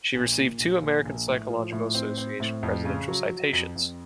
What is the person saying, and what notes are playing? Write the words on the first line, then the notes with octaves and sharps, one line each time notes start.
She received two American Psychological Association Presidential Citations.
A#1
A#2
A#1
A#1
A#1
A2
F3
A2
C4
C4
A2
F2
C#3
F#3
F#3
F2
F2